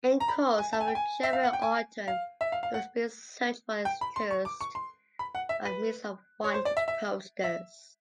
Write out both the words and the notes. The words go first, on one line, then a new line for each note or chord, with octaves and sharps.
In course of the German Autumn, he was being searched for as a terrorist by means of wanted posters.
A#5
B5
G#5
A5
G#5
G5
G#5
E5
F5
F#5
G5
G#5
F5
E5
F5
F5
F#5
G5
B5
C6
C#6
D6
C#6
C6
B5
F#5
E5
B4
C#5
C5
D5
E5
E5
E5